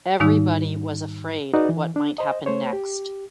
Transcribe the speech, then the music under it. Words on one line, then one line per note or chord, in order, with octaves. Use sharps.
Everybody was afraid of what might happen next.
G#2 D#3 G3 D#4 E6
D#4 F#4 G#4 B4 D5
E3
D4
C5 D#5
A3 C5 C#5
G4